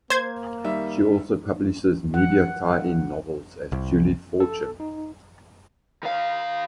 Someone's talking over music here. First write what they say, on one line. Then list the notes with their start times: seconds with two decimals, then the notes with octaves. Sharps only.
She also publishes media tie-in novels as Julie Fortune.
0.10 A#3 C5 G#6
0.64 D#3 G3 E5
2.14 F#5
3.72 C2
4.40 A4
4.80 D#4
6.03 D#3 F5